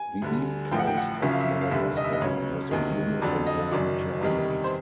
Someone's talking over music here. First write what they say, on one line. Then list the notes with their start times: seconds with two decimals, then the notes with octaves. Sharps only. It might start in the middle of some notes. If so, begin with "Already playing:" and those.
The east coast of Madagascar has a humid and warm climate.
Already playing: G#5
0.22 D2 D3 G3
0.71 A1 A2 F3 G5
0.79 F#5
0.87 G5
0.97 F#5
1.22 F#1 F#2 C#3 F3 E5
1.31 F5
1.40 E5
1.61 F5
1.71 F1 D#2 D3 G3 E5
1.97 D#5
2.04 E5
2.13 D#5
2.22 C#2 C#3 F#3 C#5
2.71 D2 C3 D#3
3.22 F2 D3 F#3 D5
3.47 D#5
3.71 F#1 F#2 D#3 F#3 D5
4.21 E2 C3 D#3 G3
4.64 C5